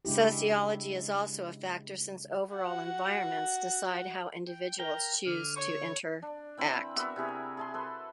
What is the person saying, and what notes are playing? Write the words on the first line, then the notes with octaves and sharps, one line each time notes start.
Sociology is also a factor since overall environments decide how individuals choose to interact.
C#3 G#3 D4 E4 G4
F#4 F#5
G5
A#4 G5 A#5
D3 F6
C#5 C#6
D4
E3 C4 B5
B3 F#4 A#4 E5
C3 E4 G#4 A#4
G#4 A5 C6
A4 B4 C6